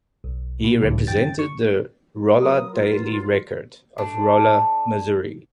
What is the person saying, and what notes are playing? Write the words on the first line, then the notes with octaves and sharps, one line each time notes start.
He represented the "Rolla Daily Record" of Rolla, Missouri.
B1
B2
C#2 A2 D3 F#3
F#2 D#3 G5 A6
C#6
F#3 A#4 B4 D#6
F4
A3 D4